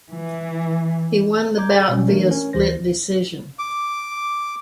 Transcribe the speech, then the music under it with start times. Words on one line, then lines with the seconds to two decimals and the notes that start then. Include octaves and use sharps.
He won the bout via split decision.
0.13 E3
1.58 A#5 D6 G6 G#6
1.75 G#4 G5 B5
1.89 B2 G3 C#4
2.08 E3 A3 D4 F#4 A#4 C#5
2.31 C#4 A#4
2.53 D2 E3 C5 A#6
3.59 D6